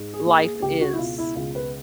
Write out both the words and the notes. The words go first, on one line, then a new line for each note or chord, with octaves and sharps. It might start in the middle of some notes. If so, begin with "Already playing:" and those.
life is
Already playing: G#2
G#4
A#3
G#4
G#4
C#2 G4
F#4
E4
B2 F4
E4
C#2 F4
B4